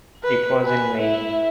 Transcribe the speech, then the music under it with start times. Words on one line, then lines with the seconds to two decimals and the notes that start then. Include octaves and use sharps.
It was in vain.
0.23 B4
0.63 B4 G#5
0.97 E4 E5